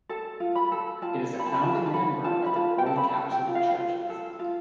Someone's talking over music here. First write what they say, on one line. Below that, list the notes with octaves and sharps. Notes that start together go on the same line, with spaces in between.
It is a founding member of the World Council of Churches.
A4 A5
F4
B5
A4
F4 A5
A4
B5
A5
B5
F4 A5
A5
A4 B5
F4 A5
B5
F4 A5
G5
A4 A5
B5
A5
A4
G5
F4
F5
F4
A4
F4